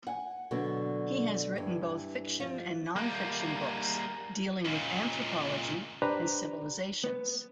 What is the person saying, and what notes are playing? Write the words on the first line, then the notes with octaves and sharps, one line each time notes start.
He has written both fiction and non-fiction books dealing with anthropology and civilizations.
F#5 G#5
B2 D3 F#3 B3
G2 E3
F3
G3 A#3
C#2 A#2
D4 G4 B4 C5 D5 A#5
B3